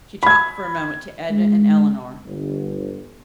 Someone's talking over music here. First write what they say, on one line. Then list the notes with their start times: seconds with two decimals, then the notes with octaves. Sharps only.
She talked for a moment to Edna and Eleanor.
0.23 B5 G#6
1.30 G#3
2.25 G1